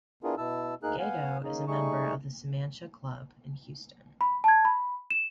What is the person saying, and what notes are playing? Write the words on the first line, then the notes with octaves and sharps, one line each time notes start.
Gado is a member of the Samantia Club in Houston.
B3 D4 E4 F4 G#4 A#4
B2 E4 A5 E6
D2 A#3 D#4 G#4 A#4 F#6
B3 F5 F#5 G#5
A#3 C#4 D#4 G#4
G3 A3 D#4 G#4 C#6
B5
A5 G#6
B5
E7